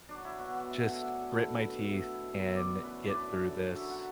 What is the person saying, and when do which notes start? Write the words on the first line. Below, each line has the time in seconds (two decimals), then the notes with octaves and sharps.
just grit my teeth and get through this
0.09 F#3 D4
0.25 E4
0.40 B2 F#4
0.55 F#4
0.70 A3 E5
0.85 F#5
1.00 D3 E5
1.20 A4
1.31 A3 B4
1.61 B2
1.92 B3 E5
2.23 B2
2.41 E5
2.53 E3 D5
2.83 F#2 B4
3.05 D5
3.14 D3 B4
3.44 F#2
3.75 F#3 E5
3.90 F#5